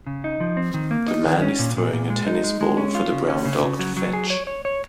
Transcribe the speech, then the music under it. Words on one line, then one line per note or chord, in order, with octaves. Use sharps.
The man is throwing a tennis ball for the brown dog to fetch.
C#3
D#4
F3
C4
D#3
A#3
D#4
D#3
C#4
A#2
A#2
A#2
G#3
D#4
G#3
G#3
C#4
F4
C#3
C#4
C#3
C#3
F#3
F#3
G#4
C#5
C#5
C#5